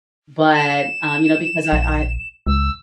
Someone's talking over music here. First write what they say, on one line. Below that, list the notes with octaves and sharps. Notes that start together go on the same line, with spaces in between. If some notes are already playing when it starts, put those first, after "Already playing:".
but, um, you know, because I I
E7
A#1
C#2 E6